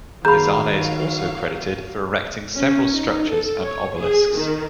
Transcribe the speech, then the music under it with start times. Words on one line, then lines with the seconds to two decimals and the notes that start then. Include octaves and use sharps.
Ezana is also credited for erecting several structures and obelisks.
0.25 D#3 F#3 G#4 F5 A#5 B5 G6
2.56 C#4
2.93 D#4
3.29 A4
3.62 C#5
3.98 G#4
4.35 D#3